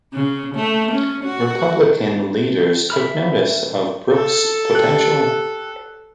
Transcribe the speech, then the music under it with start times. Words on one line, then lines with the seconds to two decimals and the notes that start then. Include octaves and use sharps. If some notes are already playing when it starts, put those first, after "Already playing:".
Republican leaders took notice of Brooke's potential.
0.13 C#3
0.55 A3
0.92 C#4
1.24 F#4
2.90 E5 B5 F6
4.12 A4
4.75 G4 F#6